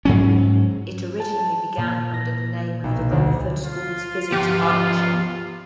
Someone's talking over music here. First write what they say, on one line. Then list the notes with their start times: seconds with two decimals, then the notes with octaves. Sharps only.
It originally began under the name of the Rutherford Schools Physics Partnership.
0.05 G#2 F#3 C#4
1.20 A5
1.77 A#2
2.14 A#6
2.84 B1
3.12 D2
3.63 F4
4.32 F3 B3 G4